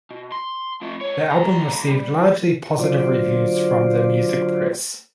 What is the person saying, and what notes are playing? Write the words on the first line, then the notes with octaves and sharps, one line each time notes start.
The album received largely positive reviews from the music press.
B2
C6
F3 A3
G#3 C#5
B1 A#5
G3
D3 F#3 F4 C5 D5